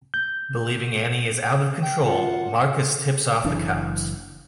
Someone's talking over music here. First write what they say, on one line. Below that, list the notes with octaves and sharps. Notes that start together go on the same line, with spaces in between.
Believing Annie is out of control, Marcus tips off the cops.
G6
G5
F#2 F4 F#5
F#1 E3 D4